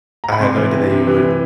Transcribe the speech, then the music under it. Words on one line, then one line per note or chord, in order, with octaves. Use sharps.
I I had no idea that you would
A#5
B5
C3 C6
E3
C3
C3
E3
E3